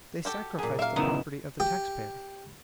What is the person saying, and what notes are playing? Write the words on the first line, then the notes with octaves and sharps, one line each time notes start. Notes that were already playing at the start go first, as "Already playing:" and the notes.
They sacrificed the property of the tax-payer.
F#4 G4 A4
F#2 A#2 G#4
A#3 E5 F5
F#2 C#3 B3 D#4 E4 F#5
G4